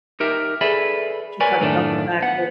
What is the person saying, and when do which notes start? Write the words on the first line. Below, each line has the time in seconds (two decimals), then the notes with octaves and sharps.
she talked about the fact that
0.20 D#4 G4 A#4 E5
0.61 G#4 A4 B4 D5 E5
1.40 A#4 B4 C#5 D5 G#5
1.60 F#2 A2 D#3 A3 B3 D4
2.22 B3 F#5